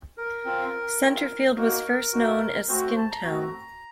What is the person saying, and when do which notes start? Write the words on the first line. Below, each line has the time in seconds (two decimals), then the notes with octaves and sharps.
Centerfield was first known as Skin Town.
0.17 A#4
0.45 C4 F4
1.01 C4 F4
1.56 A#3 D#4 F#4 A#4
2.13 A#3 D#4 F#4
2.68 A3 C4 F#4 C5
2.83 C5
2.97 A5
3.11 A#5
3.25 A3 C4 F#4